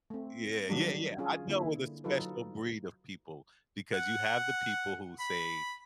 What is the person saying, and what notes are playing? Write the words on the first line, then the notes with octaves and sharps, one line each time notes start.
Yeah. Yeah. Yeah. I deal with a special breed of people because you have the people who say
A3 C4
D#3 F#3 G3 D4
C#4 F4 G#4
D3 A#3 E4
F#3 D#4 F4 A4 B4
F#5
B5